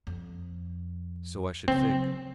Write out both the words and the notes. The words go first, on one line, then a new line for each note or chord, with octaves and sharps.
"So I should think."
F2
C#3 F#3 C4